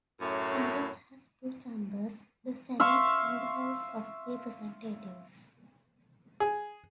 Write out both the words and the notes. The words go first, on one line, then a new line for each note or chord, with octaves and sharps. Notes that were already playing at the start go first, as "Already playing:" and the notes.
Congress has two chambers: the Senate and the House of Representatives.
F#2 A2
E5 F5 C6 C#6
G#4